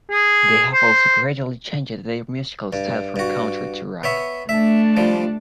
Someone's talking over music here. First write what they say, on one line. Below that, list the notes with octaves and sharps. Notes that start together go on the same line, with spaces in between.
They have also gradually changed their musical style from country to rock.
G#4
C5
G2
G2 F#4
B3 C#5 E5
A3 D4 E5
F3 G3